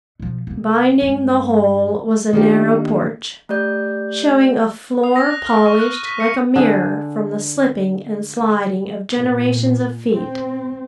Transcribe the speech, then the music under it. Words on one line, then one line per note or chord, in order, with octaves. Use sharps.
Binding the whole was a narrow porch, showing a floor polished like a mirror from the slipping and sliding of generations of feet.
B2 F3
C3 A#3
G2 G#3
D#3 A#3 B3 D4 F4 G4
A3 G4 D5 G6
D#6
A#6
F#6
F6
C#6
F#6
D#7
B6
C#7
D3 G#4
A#2
C4